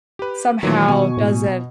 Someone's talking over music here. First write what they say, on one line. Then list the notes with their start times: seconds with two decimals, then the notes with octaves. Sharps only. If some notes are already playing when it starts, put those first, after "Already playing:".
somehow doesn't
0.19 G4 B4
0.63 A#2 D#3 E3 F#3
0.88 B2 G#5 C#6
1.17 A2